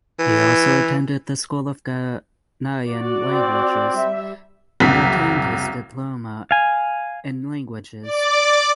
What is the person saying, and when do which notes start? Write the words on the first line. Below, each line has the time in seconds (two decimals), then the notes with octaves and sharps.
He also attended the School of Ghanaian Languages and obtained his Diploma in Languages.
0.19 E3
2.88 F#4 D5
3.32 C4
3.96 G3 E5
4.80 F#1 C2 B6
6.51 F5 G#5
8.03 D5 D6